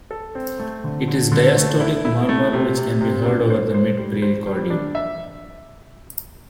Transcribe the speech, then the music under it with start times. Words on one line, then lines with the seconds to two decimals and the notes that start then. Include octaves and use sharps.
It is a diastolic murmur which can be heard over the mid-precordium.
0.11 A4
0.35 C4
0.59 A3
0.84 D3
1.08 D3
1.32 D3
1.57 A3
1.80 E4
2.05 E4
2.29 A3
2.53 C3
2.77 C3
3.01 C3
3.26 D4
3.50 C5
3.74 C5
3.98 G3
4.22 C5
4.46 G3
4.70 D4
4.95 E5